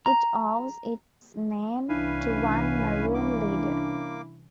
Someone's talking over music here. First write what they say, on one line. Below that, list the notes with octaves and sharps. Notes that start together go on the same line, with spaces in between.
It owes its name to one maroon leader.
A#5
C2 E3 C#4 D4 E4 B4 F5 G#5
A#3 D6